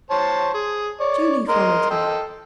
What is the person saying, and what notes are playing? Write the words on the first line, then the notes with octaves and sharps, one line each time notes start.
Julie followed her.
C5 C#5 A5
G#4
C#5 D5
A#4 D#5 C6
A4 D#5 G5